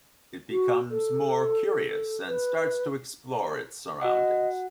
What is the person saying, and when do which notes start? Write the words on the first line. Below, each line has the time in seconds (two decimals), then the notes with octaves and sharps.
It becomes more curious and starts to explore its surroundings.
0.51 F#4
0.91 A4
2.27 B4
4.01 F#4 D#5 F#5